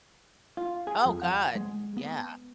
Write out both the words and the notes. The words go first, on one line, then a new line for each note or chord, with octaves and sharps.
Oh, god, yeah.
F4
G#4
F2
F#5
G#3
B3